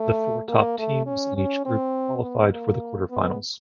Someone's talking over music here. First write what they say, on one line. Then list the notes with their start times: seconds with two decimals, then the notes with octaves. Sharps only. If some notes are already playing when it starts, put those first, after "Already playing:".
The four top teams in each group qualified for the quarter-finals.
Already playing: A3
0.49 A#3
0.78 A3
1.06 C#4
1.36 C#4
1.65 C4
2.23 B3
2.52 A#3
3.10 B3